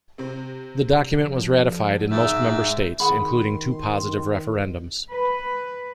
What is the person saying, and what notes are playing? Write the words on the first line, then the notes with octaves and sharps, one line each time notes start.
The document was ratified in most member states, including two positive referendums.
C3 C4
F2 D3 F3
G#2 E5
D#3 G#4 F#5 B5 C6
B4